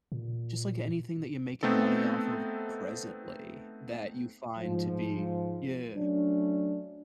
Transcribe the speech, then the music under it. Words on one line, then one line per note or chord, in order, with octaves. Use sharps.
just like anything that you're making money off of presently that you find to be Yeah.
A#2
A3 B3 C4 D#4 A4
G#2 F3
F#3 A3 C#4 D4